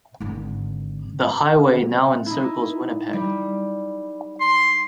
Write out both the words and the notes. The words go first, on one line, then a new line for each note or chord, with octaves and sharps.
The highway now encircles Winnipeg.
G#1 D3
D#4 E4
G3
C6